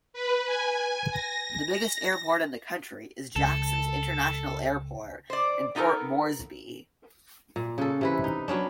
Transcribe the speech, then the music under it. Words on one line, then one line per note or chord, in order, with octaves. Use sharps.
The biggest airport in the country is Jacksons International Airport in Port Moresby.
B4
G#5
A#6
C#2 A4
C5 D5
B3 D#4 F4 G4 A4 A#4
A#2
C#3 A4
C3 E3 B4
D#4
F#3 B3 C#4 D4